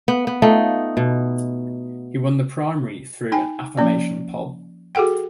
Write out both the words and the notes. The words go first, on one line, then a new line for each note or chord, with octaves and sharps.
He won the primary through an affirmation poll.
B3
B3
A3 D#4 F4
B2
D#4 G5 G#5
F3 A#3 C#4 D5
F#4 G#4 A4 F#5 G5